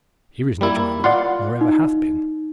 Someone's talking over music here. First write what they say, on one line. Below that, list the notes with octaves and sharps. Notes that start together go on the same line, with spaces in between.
Here is no Joanna, nor ever hath been.
G3 A#3 E4
F4 D5 F#5 C6
D#4